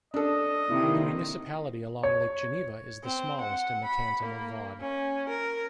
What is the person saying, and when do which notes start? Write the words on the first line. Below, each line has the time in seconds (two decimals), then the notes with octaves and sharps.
The municipality along Lake Geneva is the smallest in the Canton of Vaud.
0.14 D4 A4 D#5
0.70 C3 D#3 A#3 D#4 E4
2.03 C#5
3.04 C4
3.41 F#5
3.85 B5
4.23 A#3
4.80 C#4
5.29 A#4